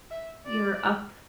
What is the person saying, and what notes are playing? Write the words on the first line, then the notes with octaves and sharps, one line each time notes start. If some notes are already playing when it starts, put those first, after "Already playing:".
you're up
E5
D5